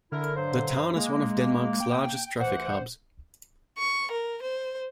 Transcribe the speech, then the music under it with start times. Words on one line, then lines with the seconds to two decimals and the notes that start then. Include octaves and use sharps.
The town is one of Denmark's largest traffic hubs.
0.12 D3 E4 A#4
0.36 G2 F#3 C5
0.95 G#3 A#3
1.80 G5
2.40 D2 E3 C5 F#5
3.78 C#6
4.11 A#4
4.42 C5